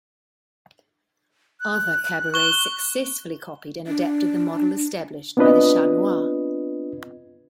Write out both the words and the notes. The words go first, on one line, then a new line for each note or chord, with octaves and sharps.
Other cabarets successfully copied and adapted the model established by the Chat Noir.
F#6
C#6 G7
D4
B3 C4 D4 F4 B4 D#5